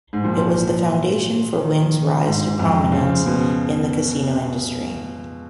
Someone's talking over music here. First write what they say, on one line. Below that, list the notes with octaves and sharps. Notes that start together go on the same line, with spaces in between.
It was the foundation for Wynn's rise to prominence in the casino industry.
G#2
A#2 F3
D#3
G#2
G#2
F2
C#3 F3
B2